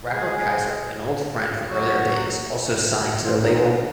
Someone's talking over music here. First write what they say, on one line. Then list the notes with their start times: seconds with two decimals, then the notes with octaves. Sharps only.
Rapper Keizer, an old friend from earlier days also signed to the label.
0.13 G#3 G#4
1.69 F#3 F#4
3.24 F3 F4
3.45 D#3 D#4
3.64 D3 D4